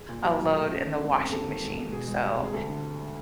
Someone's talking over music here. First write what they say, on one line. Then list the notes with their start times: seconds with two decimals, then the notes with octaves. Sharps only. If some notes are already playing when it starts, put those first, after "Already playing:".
a load in the washing machine, so
Already playing: G#4
0.09 A#2
0.24 F#3
0.39 B1
0.55 A3
0.70 F#2
0.85 D#3
1.00 G#1
1.16 G#1
1.31 D#2 A4
1.46 D#3
1.62 E1
1.77 E1
1.92 B2 G#4
2.08 G#3
2.23 C2
2.38 C2
2.44 G#4
2.53 D2 A4
2.69 D3